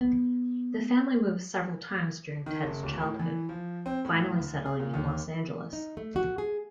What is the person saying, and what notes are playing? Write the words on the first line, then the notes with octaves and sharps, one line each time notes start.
The family moved several times during Ted's childhood, finally settling in Los Angeles.
B3
D#3
F#1
D1
A2
E3
F3
C4
A2
D2
G#4
A#2
D#2
D#4
A3
F#4
G#4